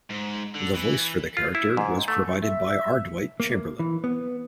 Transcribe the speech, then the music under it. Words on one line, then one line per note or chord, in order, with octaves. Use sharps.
The voice for the character was provided by Ardwight Chamberlain.
G#2
D3
E3
F4
E4
G#2
A3
E5
A#3
E3
B3